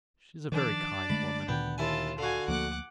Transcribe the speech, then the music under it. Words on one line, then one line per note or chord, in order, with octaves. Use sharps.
She is a very kind woman.
D#3 F3 D4 D5
D3 G#3 A3 B5
D2 A#2 D#3 B3 G5
D#2 E4 F4 G#5 A5
D3 F#4 F5 G#5
D2 F3 A#3 F#5 D6